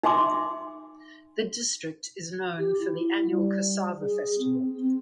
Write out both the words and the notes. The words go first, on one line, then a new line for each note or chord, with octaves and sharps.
The district is known for the annual Cassava Festival.
D#4 E5 G#5 C6 D6
G4
E4
G3
G#4
C4
C4